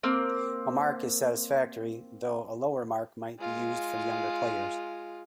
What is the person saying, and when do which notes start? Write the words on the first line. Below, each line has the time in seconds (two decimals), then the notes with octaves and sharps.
A mark is satisfactory, though a lower mark might be used for younger players.
0.03 A#3 C4
3.39 G#3 F4